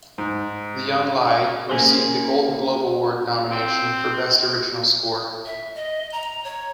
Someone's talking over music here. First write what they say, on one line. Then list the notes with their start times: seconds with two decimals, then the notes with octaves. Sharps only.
The young Lai received a Golden Globe Award nomination for "Best Original Score".
0.18 G#2
1.69 A#3 C#4 G#4 C5
3.50 C4
5.45 E5
5.75 D#5
6.12 A#5
6.44 C#5